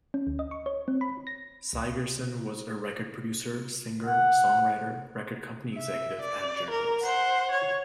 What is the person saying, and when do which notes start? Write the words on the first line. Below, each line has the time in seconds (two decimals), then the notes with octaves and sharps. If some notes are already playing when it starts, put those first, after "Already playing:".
Sigerson was a record producer, singer, songwriter, record company executive, and journalist.
0.14 C#4
0.27 D2
0.39 D#5
0.51 C#6
0.66 C#5
0.88 C4
1.01 B5
1.27 A#6
1.73 C#2
4.06 F#5
5.75 E5
6.21 D5
6.70 A#4
7.04 C5 F#5
7.51 C#5